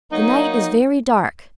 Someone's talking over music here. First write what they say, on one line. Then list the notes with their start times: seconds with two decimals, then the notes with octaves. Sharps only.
"The night is very dark."
0.11 F#3 A#3 D#4